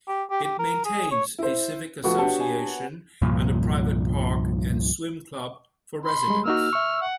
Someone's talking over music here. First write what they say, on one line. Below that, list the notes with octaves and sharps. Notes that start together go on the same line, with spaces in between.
It maintains a Civic Association and a private park and swim club for residents.
G4
G4
G4
A#4
G#4
C#5
E4 C5
F3 A3 B3 F#4
D4 G4 C#5 A5
G#5
C2 G2 A#2 F3
B5 C6
G3 G#3
A#3 D#4 F#4 E6 F6
E5 C#6
F#5